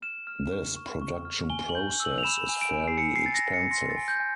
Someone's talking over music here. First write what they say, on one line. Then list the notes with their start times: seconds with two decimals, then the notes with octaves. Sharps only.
This production process is fairly expensive.
0.02 F6 E7
0.27 F6
0.53 C#6
0.76 C#6
1.02 C#6
1.25 F6
1.50 G#5 G7
1.69 F#7
1.75 G6
2.00 E6
2.05 F#7
2.18 F7
2.23 B5 E7
2.49 G#5
2.61 D7
2.73 G#5
2.88 C7
2.98 G#5 C#7
3.16 C7
3.23 G#5 A6
3.34 A#6
3.46 G#5
3.54 C#7
3.71 C6 A#6
3.90 A6
3.96 G#5
4.08 G6
4.20 G#5